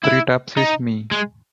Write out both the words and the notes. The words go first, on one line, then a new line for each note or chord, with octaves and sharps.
Three taps is me.
E4
D#4
G#3